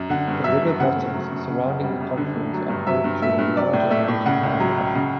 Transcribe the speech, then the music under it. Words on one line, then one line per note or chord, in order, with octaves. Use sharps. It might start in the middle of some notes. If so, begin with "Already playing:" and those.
The river bottoms surrounding the confluence are home to a large amount of wildlife.
Already playing: F#2
D3 F#5
G2
F#3 E5
G2
C#3 F#5
A3
F#3
F#2
C#3
F#2
G3
F#2
D3
A3
F#3
G2
F#3 E5
G2
A3 E5
G2
F#3 D5
A2
A3 E5
A2
C#3 F#5
C#2
F#3
C#2
C#3